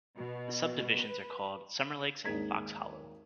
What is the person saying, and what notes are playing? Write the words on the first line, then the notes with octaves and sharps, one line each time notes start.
The subdivisions are called Summerlakes and Fox Hollow.
B2
B4
G#1 D#2 D#4 G#4 G#6 B6